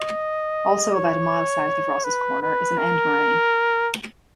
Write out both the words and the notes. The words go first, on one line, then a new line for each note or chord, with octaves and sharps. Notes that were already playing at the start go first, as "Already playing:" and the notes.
Also about a mile south of Ross's Corner is an end moraine.
Already playing: D#5
C#5
B4
B4
A#4